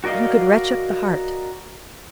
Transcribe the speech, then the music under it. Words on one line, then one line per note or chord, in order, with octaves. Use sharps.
One could retch up the heart...
F#4 A#4 D5 D#5 F5